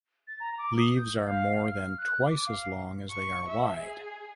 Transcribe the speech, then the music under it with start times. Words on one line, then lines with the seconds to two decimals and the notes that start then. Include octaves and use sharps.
Leaves are more than twice as long as they are wide.
0.27 A6
0.40 A#5
0.58 D6
0.77 D#6
0.96 G6
1.25 F5
1.65 F6
1.98 F#6
2.25 D6
2.47 F5
3.10 C#6
3.48 E5
3.80 G#4